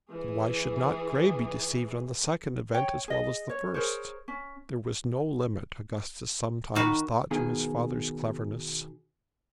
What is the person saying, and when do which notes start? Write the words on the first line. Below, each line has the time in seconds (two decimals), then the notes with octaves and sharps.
But why should not Grey be deceived on the second event as well as the first. There was no limit, Augustus sometimes thought, to his father's cleverness.
0.10 E3 G#4
2.74 C#5 G5
3.08 G#4 D#5
3.50 C#5
3.74 G#4 A#4 C5 C#5
4.28 C#4
6.75 D#3 D#4 F#4 B4
7.31 B2 D#3 G#4